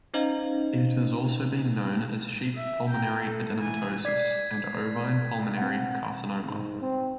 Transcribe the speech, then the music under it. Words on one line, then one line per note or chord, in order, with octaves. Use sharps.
It has also been known as sheep pulmonary adenomatosis and ovine pulmonary carcinoma.
C#4 D#4 C5 D#5 F5 A#5
E5
G5 A#5
A4
E3 G#5
D5 G#6 B6 C7
C4 F#5
G#2
C4